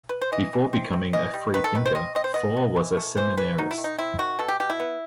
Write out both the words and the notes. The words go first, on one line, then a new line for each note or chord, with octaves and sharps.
Before becoming a free-thinker, Faure was a seminarist.
B4
C5
E3 D#5
E3
C4
C4
E3 D#5
G3
D#3 B4
A4
D#3 B4
C5
C4 D#5
C4 D#5
C5
B3 D#5
B3
E3
A3
E3 C5
E3 B4
F#3 D#4
E4
D#3
D#4
C4 E4
D#3 F#4
B2 A4
G4
B2 G4
E4
B3